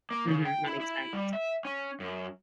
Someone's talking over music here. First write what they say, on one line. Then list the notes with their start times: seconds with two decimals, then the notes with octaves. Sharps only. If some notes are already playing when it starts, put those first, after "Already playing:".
Mhm, that makes sense.
0.11 A#3
0.27 C#3
0.45 G5
0.67 E4
0.80 E4
1.13 G3
1.33 E5
1.65 C#4
2.00 F#2